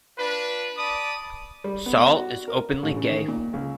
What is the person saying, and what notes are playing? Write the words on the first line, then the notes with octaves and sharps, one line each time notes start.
Saul is openly gay.
D4 F4 B4
D5 A5 B5 D6 D#6
G3
B3
D5
F#4
A#4
A1
C#3
D#3
A#2
C#2